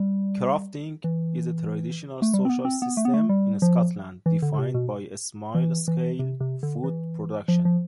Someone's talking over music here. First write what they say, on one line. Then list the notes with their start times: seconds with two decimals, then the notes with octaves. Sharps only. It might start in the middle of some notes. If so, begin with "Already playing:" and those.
Crofting is a traditional social system in Scotland defined by small-scale food production.
Already playing: G3
1.04 E3
2.22 A3
2.34 G3
2.45 C4
2.50 B3
2.65 C4
2.82 B3
2.97 A3
3.05 B3
3.14 A3
3.29 G3
3.62 F3
4.26 E3
4.42 D3
4.54 D3
4.59 C3
4.74 B2
5.55 E3
5.88 E3
6.19 C3
6.41 C3
6.63 D3
6.84 E3
7.48 F3
7.65 F3